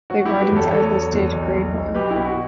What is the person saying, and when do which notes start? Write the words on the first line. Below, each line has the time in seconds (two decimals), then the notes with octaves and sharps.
The gardens are listed Grade One.
0.10 F#3 F#4
0.25 E4 G4
0.31 F#3
0.41 G4 B4
0.52 E2 A4 C#5
0.71 E2 A4 C#5
0.92 F#3
1.12 E2
1.33 B1
1.54 B1
1.74 B1
1.94 B1 G4 B4
2.10 E4
2.16 B2
2.25 F#4